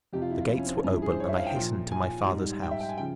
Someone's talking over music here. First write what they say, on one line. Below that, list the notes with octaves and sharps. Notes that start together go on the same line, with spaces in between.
The gates were open, and I hastened to my father's house.
F2 C3 F3 G4
F4
E4
F4
E4
C#4
C4
G2 F3 C#4
E4
G#4
C5
C#5
E5
F5
G5
A#2 F3
G#5
G#2 G3
G5
E5
G5
G#5
C#3 F3 G5